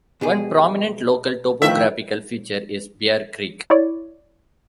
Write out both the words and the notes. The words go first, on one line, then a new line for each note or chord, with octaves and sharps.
One prominent local topographical feature is Bear Creek.
B2 G4 G#4
A2 D#3 F3 E5
E4 C#5 D5